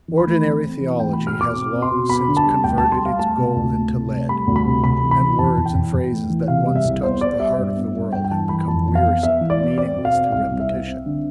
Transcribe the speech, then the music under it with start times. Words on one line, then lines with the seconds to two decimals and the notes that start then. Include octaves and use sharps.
Ordinary theology has long since converted its gold into lead, and words and phrases that once touched the heart of the world have become wearisome and meaningless through repetition.
0.08 E3
0.18 B5
0.27 A3
0.45 C4
0.64 C4
0.81 E3
1.00 A3 G5
1.13 B2 B5
1.27 F6
1.36 B2 D6
1.55 C4
1.73 C4
1.82 C6
1.91 B2
2.09 B3 B5
2.28 D3
2.37 A5
2.46 G3
2.64 D2 G5
2.78 G3 A5
2.92 C6
3.01 G3 F5
3.19 A3 A5
3.38 C3
3.56 D2
3.74 A3
3.92 C3
4.10 A3
4.29 G3 B5
4.47 D2
4.56 B5
4.66 C3
4.84 C3 B5
5.02 E3
5.11 B5
5.20 E3
5.39 E2 A5
5.57 E2
5.65 G5
5.75 E2
5.93 E2
6.12 A3
6.30 E3
6.48 C3 F5
6.67 G3
6.76 E5
6.85 C2
7.03 B3 C5
7.21 B3 D5
7.40 G3 E5
7.58 G2
7.76 B3
7.95 G2
8.12 G2 G5
8.24 G5
8.31 E3 A5
8.49 E3 B5
8.68 F2 A5
8.86 F2
8.95 F5
9.04 B3
9.22 B3 E5
9.41 E3
9.50 D5
9.59 B3
9.78 C4 D5
9.96 B2
10.05 F5
10.14 C4
10.32 C2 F5
10.51 C2
10.60 E5
10.69 C4
10.87 C4
11.06 D3